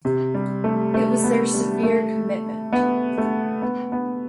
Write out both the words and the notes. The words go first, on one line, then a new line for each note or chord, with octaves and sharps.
It was their severe commitment.
C3
G3
A3
A3
B3
G3
A3
B3
A3
B3
B3